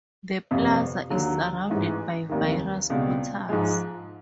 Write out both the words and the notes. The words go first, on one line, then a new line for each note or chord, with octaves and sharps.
The plaza is surrounded by various portals.
G1 F2 C3
D#2 D3 F#3
A1 G#2 E3
F1 D#2 D#3
C#2 B2 G3 C4
G#2 F3 G#3